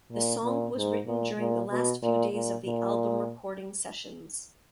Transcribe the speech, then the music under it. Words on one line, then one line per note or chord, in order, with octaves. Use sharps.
The song was written during the last few days of the album recording sessions.
A#2
A#2
G#2
A#2
A#2
B2
A#2
A#2
A#2